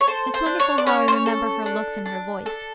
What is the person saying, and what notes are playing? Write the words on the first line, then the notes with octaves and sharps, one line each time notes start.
It's wonderful how I remember her looks and her voice.
C#5
A4 C5
C5
D4
C#5
D5
C#4 C#5
C5
C#5
A4
D4
D4
A4